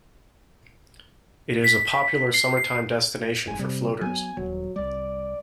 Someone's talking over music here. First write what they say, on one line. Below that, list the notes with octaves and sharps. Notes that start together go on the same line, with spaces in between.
It is a popular summertime destination for floaters.
B6
C7
C7
F1 G#2 G#5
C3 G3
F#3 B3 G#5
D#1 F#3
C2 G3 D5